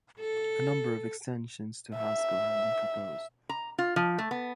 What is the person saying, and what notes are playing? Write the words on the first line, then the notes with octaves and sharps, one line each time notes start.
A number of extensions to Haskell have been proposed.
A4
E5
A#5
F4
F3
A3
B3